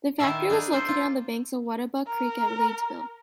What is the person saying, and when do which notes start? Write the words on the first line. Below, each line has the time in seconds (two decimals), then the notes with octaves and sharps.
The factory was located on the banks of Webatuck Creek at Leedsville.
0.19 D#3 E4 A4 A#4 E5 F5
0.50 D4 D#4 G#4 A#4
0.73 A4 A#4 C5
0.89 F4
2.07 A#4